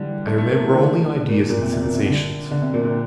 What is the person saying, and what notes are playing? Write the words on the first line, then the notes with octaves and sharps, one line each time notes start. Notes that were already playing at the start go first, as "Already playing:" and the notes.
I remember only ideas and sensations.
Already playing: D3 E3 G3
A3
A3
A#3
E3
D3
D3
A#2
A#2
C3
C3
A#2
C3
D3
D3
C3
A#2
A#2